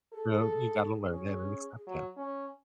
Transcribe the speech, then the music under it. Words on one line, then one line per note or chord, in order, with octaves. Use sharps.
So, you gotta learn that and accept it,
G#4 A4
C#4
F#3
C#4